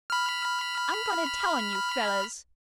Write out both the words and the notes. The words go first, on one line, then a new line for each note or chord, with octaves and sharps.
"I'm going to tell on you fellows!"
B5 F6